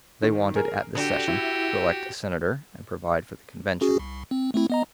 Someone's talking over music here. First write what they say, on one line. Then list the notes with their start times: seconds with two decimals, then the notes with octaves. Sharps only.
They wanted at this session to elect a senator and provide for the convention.
0.23 D#3
0.56 G#4 A#4
0.95 D3 F#4 G4
1.28 E4
3.81 C#4 F#4 G#4
3.99 C2
4.31 C4
4.54 A3 C4 E4
4.70 B3 D#5 A#5